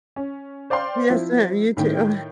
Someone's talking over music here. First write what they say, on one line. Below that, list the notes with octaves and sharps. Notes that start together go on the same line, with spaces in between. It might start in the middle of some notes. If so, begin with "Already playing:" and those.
Yes, ma'am. You too.
C#4
C5 D5 F5 G5 C6
F3 C4 E4
A2 D#3 G5